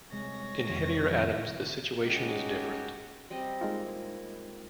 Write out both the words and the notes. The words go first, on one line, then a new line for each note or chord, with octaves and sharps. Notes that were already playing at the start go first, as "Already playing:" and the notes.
In heavier atoms the situation is different.
C3 G#3 C#5 A#6
F2 C3 D#3 F3
G#3 C#4 D#4 F#4 G4
G3 C4 D#5
G#3 A#3 D#4 F4
E4